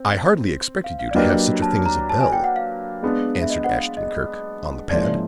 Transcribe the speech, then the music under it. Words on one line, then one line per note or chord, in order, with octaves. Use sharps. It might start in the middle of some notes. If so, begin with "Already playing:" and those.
"I hardly expected you to have such a thing as a bell," answered Ashton-Kirk, on the pad.
Already playing: C4
F5
F5
D5
F#3 A#3 D4 G4 B4 D#5
A5
A#5
A5
G#5
G5
F#5
F5
G#3 B3 D4
E5
D#5
F#5
F5
D#5
G#2 F3 A#3 C#4 E4 D5